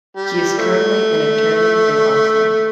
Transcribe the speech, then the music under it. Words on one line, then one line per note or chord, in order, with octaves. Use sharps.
He is currently an attorney in Austin.
G3
F3 A3